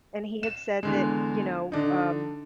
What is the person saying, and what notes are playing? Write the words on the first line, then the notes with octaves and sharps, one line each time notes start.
and he had said that you know, um,
E7
E2 D3 G#3
D3 D4 D#4